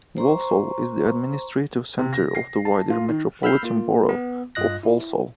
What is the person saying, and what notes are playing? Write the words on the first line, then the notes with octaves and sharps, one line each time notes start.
Walsall is the administrative centre of the wider Metropolitan Borough of Walsall.
C5 A#5 C6 C#6
C3
A#6
C7
A5
F4
D#3
B5 E6 F6 G6 C7
A#3 F4
B3
G2 F4 D#5 F#6 A#6
E4